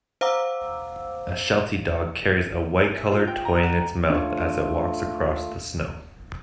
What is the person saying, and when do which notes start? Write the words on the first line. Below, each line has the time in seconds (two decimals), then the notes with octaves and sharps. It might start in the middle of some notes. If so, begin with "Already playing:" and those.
A Sheltie dog carries a whitecolored toy in its mouth as it walks across the snow.
0.21 C5 F5 F#5 A#5 D6 E6
2.84 G#5
2.97 E5
3.12 F4
3.27 G5
3.45 A#5
3.63 F#5
4.10 A3 D4 F4 C#5